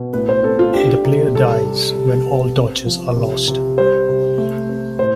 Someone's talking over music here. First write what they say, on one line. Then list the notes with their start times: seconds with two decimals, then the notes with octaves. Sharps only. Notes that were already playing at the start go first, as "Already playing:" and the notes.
The player dies when all torches are lost.
Already playing: B2
0.13 A2 B4
0.29 C5
0.43 C4 A4
0.59 F4
0.74 D4 G4
1.05 C3
1.35 G3 A4
1.65 G3
1.95 C3
2.26 B3
2.57 C4
2.86 F3
3.17 C3
3.48 C3
3.78 G3 C5
4.09 C3
4.38 A3
4.69 C4
4.99 A2 C5